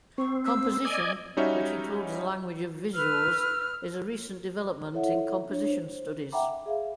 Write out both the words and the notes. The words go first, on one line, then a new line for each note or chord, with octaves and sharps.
Composition, which includes the language of visuals is a recent development in composition studies.
C4 C#6
E6
D5 D#5 G#5
G3 C#4 D#4 F#4 C#5 E5
B4 E6 F6
E4 A4 C#5 E5 F#5
D4 C#5
C5
E5 F#5 G5 A#5 B5 D6
G#4 E5 F5